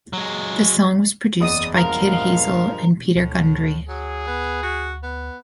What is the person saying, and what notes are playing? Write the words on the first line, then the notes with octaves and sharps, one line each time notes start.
The song was produced by Kid Hazel and Peter Gundry.
F#3 G#3
F#1 E2 D5 D#5 D#6
G2 F3 G#3 A#4 F5
D2 A2
F#3 G#4
B3
F#4
B3